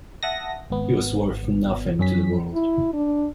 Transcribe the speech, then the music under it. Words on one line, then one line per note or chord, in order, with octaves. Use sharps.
He was worth nothing to the world.
E5 F#5 A5 D#6 A#6
G#1 B3
F#2 C#4 B6
E4
D4